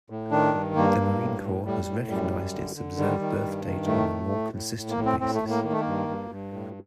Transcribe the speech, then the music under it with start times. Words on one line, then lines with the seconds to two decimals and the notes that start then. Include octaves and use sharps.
The Marine Corps has recognized its observed birth date on a more consistent basis.
0.10 A2
0.31 D#3 D4
0.54 G2
0.75 G2 A#3
0.98 G2
1.20 A2
1.43 A2
1.64 A2 G3
1.87 A2
2.09 F#2 G3
2.32 F#2
2.54 D3
2.76 D3
2.99 D#3 G3
3.20 D#3
3.43 G2
3.65 D#3
3.86 A2 A3
4.09 A2
4.32 A2
4.54 A2
4.76 A2
4.90 A#3
4.97 A2
5.05 C4
5.20 A2 C4
5.34 A3
5.43 A2
5.50 A#3
5.64 D#3 A#3
5.72 A3
5.80 A#3
5.87 G2
6.08 G2
6.30 G2
6.53 A2